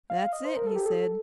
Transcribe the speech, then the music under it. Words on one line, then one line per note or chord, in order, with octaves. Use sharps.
"That's it," he said.
F5
F5
D#5
C5
A#4
A4
G4
A4